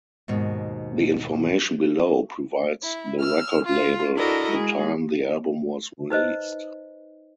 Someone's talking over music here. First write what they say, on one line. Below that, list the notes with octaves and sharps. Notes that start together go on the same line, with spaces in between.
The information below provides the record label at the time the album was released.
D#2 G#2 B2
E4
E6 F6
F4
D4 E4 F#4 A4 A#4 D#5
G#3 G#4
D#4 B4 C5 D#5